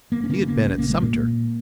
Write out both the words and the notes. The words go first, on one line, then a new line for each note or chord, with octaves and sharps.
He had been at Sumter.
A#3
C#4
C#3 A#3
C#4
A#3
A#1 C#4
A#3
G#3
A#2 A#3